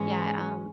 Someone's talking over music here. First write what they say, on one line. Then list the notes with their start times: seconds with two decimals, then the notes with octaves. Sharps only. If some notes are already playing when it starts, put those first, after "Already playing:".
yeah, um
Already playing: G#2 E3 G#3 C#4